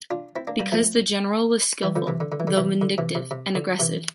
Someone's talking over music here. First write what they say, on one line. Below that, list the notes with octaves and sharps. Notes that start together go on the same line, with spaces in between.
Because the General was skillful, though vindictive and aggressive.
D4 F4
C4 E4
A#3 D4
G3 A#3
F3 A3
E3 G3
D3 F3
C3 E3
D3
D3
E3
D3
C3 E3
D3
C3 E3
C3
C3
D3
C3 E3